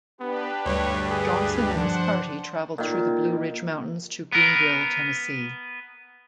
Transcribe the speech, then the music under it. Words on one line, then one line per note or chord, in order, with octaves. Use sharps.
Johnson and his party traveled through the Blue Ridge Mountains to Greeneville, Tennessee.
B3 D4 G4 B4
D2 G2 C#5
G#4
F3 D4 C5 F#5
A#2 D#3
B3 A#4